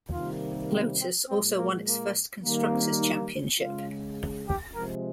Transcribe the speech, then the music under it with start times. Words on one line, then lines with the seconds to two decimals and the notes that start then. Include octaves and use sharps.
Lotus also won its first constructors' championship.
0.11 C3 D#3 G3 A#3 F4
0.70 C4
0.99 C4
1.27 A#2 G#3 C4
1.57 A#3
1.85 A#3
2.43 D#3 G3 A#3
2.72 C4
3.01 D#4
3.59 C#3 G#3 F4
4.46 G4
4.75 C3 F3 G#3 A#4